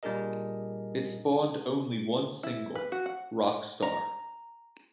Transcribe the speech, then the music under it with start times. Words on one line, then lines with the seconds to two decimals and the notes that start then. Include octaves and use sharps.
It spawned only one single: "Rockstar".
0.03 A#2 G3 D4 G#4 A#4 D#5
2.43 E4
2.75 B4
2.92 F#4
3.06 F#5
3.82 A#5